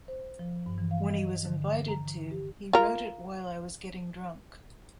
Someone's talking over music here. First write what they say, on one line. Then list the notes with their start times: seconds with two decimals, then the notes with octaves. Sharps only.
When he was invited too, he wrote it while I was getting drunk.
0.08 C5
0.39 F3
0.66 G2
0.78 E3
0.91 F5
1.10 D#5
1.45 D3
1.88 A#5
2.31 G4
2.73 F4 A#4